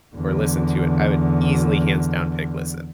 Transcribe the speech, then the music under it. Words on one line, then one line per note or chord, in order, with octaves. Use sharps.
or listen to it, I would easily hands down pick listen.
E2 D3